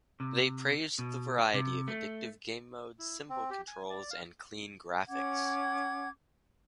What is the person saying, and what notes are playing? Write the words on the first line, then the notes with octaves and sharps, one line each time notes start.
They praised the variety of addictive game modes, simple controls, and clean graphics.
C3
B2
C3
A3
E4
C4
G4
G#5
D5
F5
C#4 F#5 D6 G#6